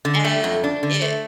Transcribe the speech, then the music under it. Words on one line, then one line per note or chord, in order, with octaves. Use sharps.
and it
D3
A3
F2
D4
D3
A3